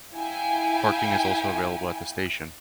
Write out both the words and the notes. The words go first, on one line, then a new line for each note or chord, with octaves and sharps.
Parking is also available at the station.
E4 F5 G5 G#5